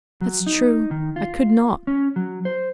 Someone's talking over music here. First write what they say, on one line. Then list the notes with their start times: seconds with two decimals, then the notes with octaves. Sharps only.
"That's true; I could not!"
0.21 F#3
0.47 D#4
0.91 D#3
1.16 F4
1.87 C#4
2.16 F#3
2.45 C5